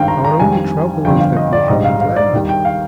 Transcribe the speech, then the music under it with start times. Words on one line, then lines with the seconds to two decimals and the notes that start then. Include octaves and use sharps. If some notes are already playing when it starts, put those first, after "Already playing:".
Our only trouble is that we haven't land enough.
Already playing: G#1 G2 D#3 F5 G5
0.08 A#5
0.25 A#5
0.40 F2 D#3 G3 G#5
1.05 G1 F2 D3 F3 G5
1.20 F5
1.37 D#5
1.53 D5
1.68 A#1 G#2 G3 D#5
1.85 F5
2.01 F5
2.16 D5
2.33 D#2 D#3 G3
2.49 G5
2.65 F5